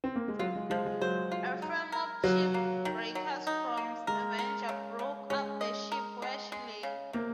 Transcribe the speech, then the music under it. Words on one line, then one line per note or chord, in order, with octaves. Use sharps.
A firm of shipbreakers from Stavanger broke up the ship where she lay.
C4
A#3
G#3
F#3 F4
G#3
F3 G#3
G#3
F#3 C5
F4
D#4
A#4
F#3 A#3
A#3
D#3
F#3
D#4
A#3
G#3 A#4
A#4
C#3
C#3
G#3 C#4
D#5
A#4
G#3
G#3
C#3
C3 A#3